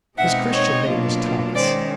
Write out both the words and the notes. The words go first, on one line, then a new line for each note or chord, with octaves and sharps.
His Christian name was Thomas.
B2 G#3 C4 D#4 E5 F#5
C#5 D#5
B2 F#3 A#3 D4 F4
D#3 G#3 C#4 C5 D5